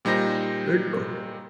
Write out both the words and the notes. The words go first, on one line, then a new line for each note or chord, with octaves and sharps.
Very cool.
A#2 G3 D#4 C5 A#6